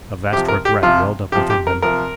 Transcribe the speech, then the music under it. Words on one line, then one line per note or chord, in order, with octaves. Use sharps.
A vast regret welled up within him.
C3 F3 G4
A#4
G4
C3 F3 F4
C3 F3 G4
G4
A#4
C3 F3 A#4